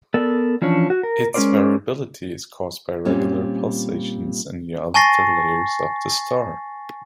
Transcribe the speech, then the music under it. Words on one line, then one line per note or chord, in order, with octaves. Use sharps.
Its variability is caused by regular pulsations in the outer layers of the star.
B3 A4 A#4 D5
E3 F3 C#4 D4 C#5
F#4
A#4
G#3 C#4 F4 A#4 C5 D5
A#2 G3 C4 C#4
G#5 A5 C#6 A6 A#6 C7